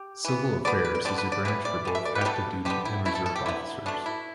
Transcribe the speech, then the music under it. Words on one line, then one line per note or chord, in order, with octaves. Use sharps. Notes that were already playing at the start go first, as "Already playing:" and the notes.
Civil Affairs is a branch for both active duty and reserve officers.
Already playing: G4
E3 B3
B2 B3 D5
B4
D5
D3 G3 B3 D5
B4
D5
E3 B3 B4
D5
B2 B3
E5
D5
B4
G4
B2 G3 B3 A4
D3 G3 B3 G4
E4
B2 A3 E4
A4
A4
G4
D3 B3 E4
B2 A3 D4
E4